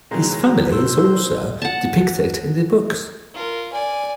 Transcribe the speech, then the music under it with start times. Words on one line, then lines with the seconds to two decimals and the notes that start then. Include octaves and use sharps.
His family is also depicted in the books.
0.11 B2 D#3 F#3 G#3 A#5
0.72 C5 E6
1.62 F#5 A5
3.34 F4 A#4
3.73 D5 G#5